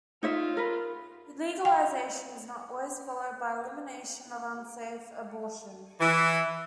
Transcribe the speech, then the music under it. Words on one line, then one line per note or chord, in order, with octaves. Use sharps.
Legalization is not always followed by elimination of unsafe abortion.
D#4 F4 C#5 E5
A#4 B4
G5
E3